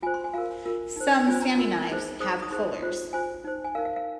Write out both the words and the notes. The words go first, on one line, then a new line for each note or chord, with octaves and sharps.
Some "Sami knives" have fullers.
F4 C5 G#5
C6
G#5
F4 A#4 F5
F4 A#4
D#4 C5
F4 C5 G#5
C6
A#5
F4 A#4 C6
D#4 G#4 C5
D#4 G#4 C5 D#6
D#6
D#4 G#4 C5 C6
F4 C5
F4 C5 G#5
D#4 C5
G#5
D#4 A#4 F5
F5
F5